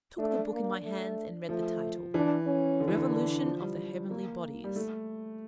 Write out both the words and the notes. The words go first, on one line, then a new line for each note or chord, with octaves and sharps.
I took the book in my hands and read the title, 'Revolution of the Heavenly Bodies.'
A3 D4
A#3
A3
F3 A3
E3 D4
C#4
D3
E3
D3
D4
F3
G3
A#3
G3
A3